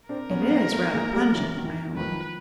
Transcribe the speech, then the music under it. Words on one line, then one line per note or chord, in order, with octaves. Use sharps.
"It is rather pungent," I owned.
C4 D4 A#4
B3 C#4
B3
A#3 C4
A3 B3
G#3 A#3
G3 A3
E3 F#3
D#3
E3
D#3 F3 B4